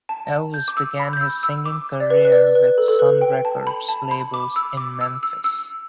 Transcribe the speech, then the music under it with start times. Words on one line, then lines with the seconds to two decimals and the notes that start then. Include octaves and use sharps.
Elvis began his singing career with Sun Records label in Memphis.
0.09 A5
0.54 G6
0.68 D6
0.77 E6
0.99 B5
1.13 G6
1.21 E6
1.43 E6
1.66 D6
2.00 D5
2.10 B4
2.25 B4
2.32 D5
2.55 B4
2.78 A4
2.88 A4
2.99 B4
3.21 G5
3.45 A5
3.67 B5
3.89 A5
4.11 B5
4.34 D6
4.56 E6
4.77 D6
5.01 E6
5.23 E6
5.44 E6